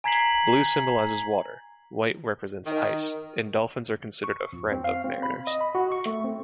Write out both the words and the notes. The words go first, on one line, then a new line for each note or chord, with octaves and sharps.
Blue symbolizes water, white represents ice, and dolphins are considered a friend of mariners.
G#5 A#5 G#6 B6 C7 F#7
D#3
C#6
F2
C4
F5
C4
B5
D#5
B5
F#4
C#6
A3
C4